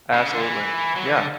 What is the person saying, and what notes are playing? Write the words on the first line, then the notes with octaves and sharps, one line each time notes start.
Absolutely. Yeah.
C#3
D3
E3
F#3
E3
D3